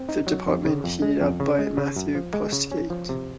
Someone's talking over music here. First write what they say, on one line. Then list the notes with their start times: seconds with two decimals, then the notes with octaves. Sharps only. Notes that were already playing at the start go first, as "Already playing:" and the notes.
The department headed up by Matthew Postgate.
Already playing: C4
0.09 D#4
0.27 F#3
0.46 F2
0.65 C#3
0.84 F2
1.02 G#3
1.21 F2
1.40 C#3
1.59 G#3
1.77 C#3
1.96 F#2
2.15 F3
2.34 G#3
2.52 C#3
2.72 C#4
2.90 F3
3.09 C3